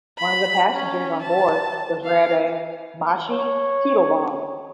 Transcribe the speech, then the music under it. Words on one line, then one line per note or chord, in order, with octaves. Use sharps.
One of the passengers on board was rabbi Moshe Teitelbaum.
B5
C#4
A5
F5
C#5